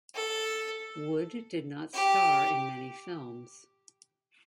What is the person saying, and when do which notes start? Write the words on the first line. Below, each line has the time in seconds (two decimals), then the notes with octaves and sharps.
Wood did not star in many films.
0.15 A4
1.94 G4